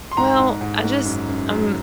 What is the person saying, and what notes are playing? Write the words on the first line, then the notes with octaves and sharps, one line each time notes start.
"Well, I just I'm
C6
G#2 A#5
G#2
G#2
G#2
F#2
F#2
F#2